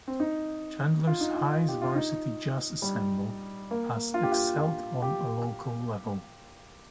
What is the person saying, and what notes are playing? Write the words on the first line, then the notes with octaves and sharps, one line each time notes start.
Chandler High's Varsity Jazz Ensemble has excelled on a local level.
C4
D#4
F4
D#4
F4
G4
F4
D#4
G3
A#3
F4
G4
F4
F4
G4